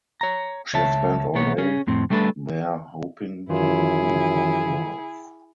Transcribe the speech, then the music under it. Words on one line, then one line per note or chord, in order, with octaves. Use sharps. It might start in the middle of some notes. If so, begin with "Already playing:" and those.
She had spent all day there hoping he would be found alive.
C#5 A#5
C#2 C#5 E5 A5
B1 A#3 B3 C#5
C#4 G#4
F2 A2 C4
G3 A3 D4 A4 B4
F#2 D#3 E3 E4 F4 G#4